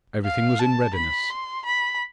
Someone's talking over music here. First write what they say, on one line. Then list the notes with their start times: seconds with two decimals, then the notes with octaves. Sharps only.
Everything was in readiness.
0.24 F5
0.59 A5
0.95 B5
1.30 C6
1.65 B5